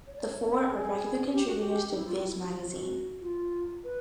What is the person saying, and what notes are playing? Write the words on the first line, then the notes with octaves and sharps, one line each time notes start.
The four are regular contributors to "Viz" magazine.
C#5
D5
C#5
G#4
G4
F#4
G4
D#4
E4
F4
F#4
E4
F#4
F4
F#4
F4
B4